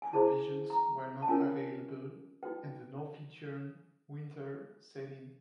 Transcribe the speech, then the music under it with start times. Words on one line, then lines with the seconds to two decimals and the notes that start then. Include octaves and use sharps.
Provisions were not available, and the Norwegian winter set in.
0.02 G#5
0.13 E4 G#4 C5 A5
0.70 A#5
1.22 A5
1.28 C#4 F4 A#4 C#5 G#5
2.43 D#4 F#4 B4 G5